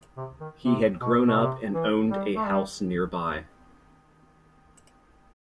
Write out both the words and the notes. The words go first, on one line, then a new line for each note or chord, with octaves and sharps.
He had grown up and owned a house nearby.
C3
D#3
C3
B2
B2
C3
E3
G3
A3
G3